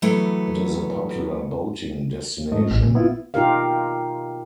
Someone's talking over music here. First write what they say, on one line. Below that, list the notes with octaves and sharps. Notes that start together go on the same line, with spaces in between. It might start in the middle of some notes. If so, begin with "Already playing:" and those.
It is a popular boating destination.
E3 F#3 A3 B3
G#2 A3 D#5
A1 E2
A#2
B3 E4 F4
B2 D#4 F4 G4 A#4 F5